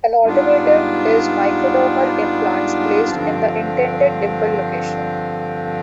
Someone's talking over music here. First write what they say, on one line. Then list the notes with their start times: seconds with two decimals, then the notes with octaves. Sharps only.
An alternative is microdermal implants, placed in the intended dimple location.
0.23 G#2 G3 B3 D4 F4
3.09 G2 D3 F3 C4